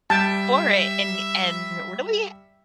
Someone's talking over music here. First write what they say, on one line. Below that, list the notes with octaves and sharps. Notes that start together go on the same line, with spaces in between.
for it and and really
G3 E5 A5 G6 D7